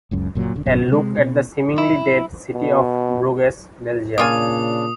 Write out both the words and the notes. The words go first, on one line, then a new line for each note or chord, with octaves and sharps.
A look at the seemingly-dead city of Bruges, Belgium.
F#1 C#2 F#2
F#1 A#2 F#3
E1 B2 D3
G#1 F#2 B2
C3 G#3
B2
E4
B2
A#2 C#3 A#3 D4 F4 G#5 D#6